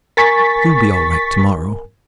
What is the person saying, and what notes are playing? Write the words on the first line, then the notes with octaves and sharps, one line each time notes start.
"You'll be all right tomorrow."
A#4 G#5 C#6 A6 B6